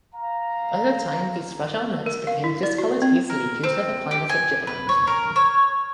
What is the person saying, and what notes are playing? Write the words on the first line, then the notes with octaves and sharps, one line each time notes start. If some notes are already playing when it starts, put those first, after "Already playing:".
Over time these fragile notes became discolored easily due to the climate of Japan.
F5 A#5
A#4
F5
E4
D5
F#4
C4
A#4
C4
G4
G#5
B4
C#5
A#4
C#5